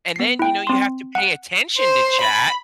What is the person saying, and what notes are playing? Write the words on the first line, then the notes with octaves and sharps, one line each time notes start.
and then, you know, you have to pay attention to chat,
B3 C7
E4 G5
C4 C6
F#5
C5
B5